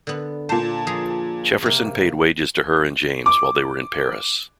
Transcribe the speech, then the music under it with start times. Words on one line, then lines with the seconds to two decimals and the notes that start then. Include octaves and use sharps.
Jefferson paid wages to her and James while they were in Paris.
0.07 D3 B3
0.49 A#2 C5 A5
0.87 F3 G#4 A#5
1.62 C3 A#3
3.26 D6